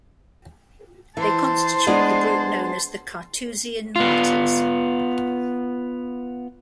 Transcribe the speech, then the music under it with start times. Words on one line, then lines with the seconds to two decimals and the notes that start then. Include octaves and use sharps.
They constitute the group known as the Carthusian Martyrs.
1.17 E3 C5 A5
1.87 G#3 B3 D4
3.96 B3 F4